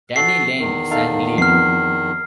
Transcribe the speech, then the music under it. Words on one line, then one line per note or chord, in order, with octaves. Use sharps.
Denny Laine sang lead.
F#4 A4 C7
E2 D#3
D#4 A4 F5
F2 B3 F6 C7